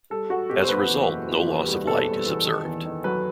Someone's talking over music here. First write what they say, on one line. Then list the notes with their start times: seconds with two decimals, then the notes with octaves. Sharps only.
As a result, no loss of light is observed.
0.10 G3 A4
0.30 G3 F#4
0.50 B2 G4
0.63 C5
0.69 F#1 B4
0.89 E2
1.09 F#1
1.28 E2
1.48 E2
1.67 G3
1.87 B2 A4
2.06 G3
2.26 E2
2.46 D#3
2.65 E2
2.85 D#3
3.04 F#3 B4